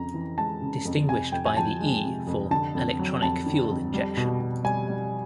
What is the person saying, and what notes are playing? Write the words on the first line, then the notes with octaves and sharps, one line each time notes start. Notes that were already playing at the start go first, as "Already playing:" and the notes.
Distinguished by the "E" for "Electronic Fuel Injection".
Already playing: F2 C#3 A#5
E3
G#3 A5
C#3
F2
C3 G#5
F2 G5
G#5
F3 A5
G#3
C3
F2
D3 A5
F2
F#3
F2 A5
D3
F2
G3
B2
B2
G3 G#5
G3